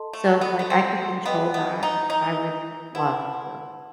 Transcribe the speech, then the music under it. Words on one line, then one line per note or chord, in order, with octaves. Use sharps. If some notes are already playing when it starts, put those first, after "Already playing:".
So, if like I could control that, I would love to.
Already playing: A4 D#5 A5 C6
A3
B3
B3
C4
B3 B4 D#5 G5
B3
D#4
D#4
E4 B4 F#5 A5 C6